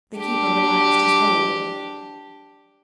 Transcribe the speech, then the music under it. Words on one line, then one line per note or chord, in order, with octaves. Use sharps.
The keeper relaxed his hold.
D4 G4